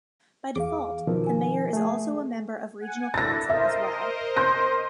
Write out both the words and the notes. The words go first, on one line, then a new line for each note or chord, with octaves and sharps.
By default the mayor is also a member of Regional Council as well.
E2 G#4 F5 D6
B2 D#3 F3 A#4
A#4 G#5
A3 G#4
F#5 G#5
D4 E4 A4 A6 A#6
A#4 C5 D#5 E5
C6 G6 A#6